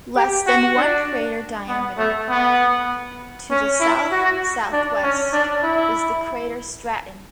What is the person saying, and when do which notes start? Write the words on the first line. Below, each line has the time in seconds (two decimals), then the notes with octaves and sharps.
Less than one crater diameter to the south-southwest is the crater Stratton.
0.16 G4
0.47 F#4
0.77 D4
1.69 B3
1.98 A3
2.29 B3
3.51 C#4
3.80 E4
4.11 F#4
4.72 D4
5.03 C#4
5.33 D4
5.63 E4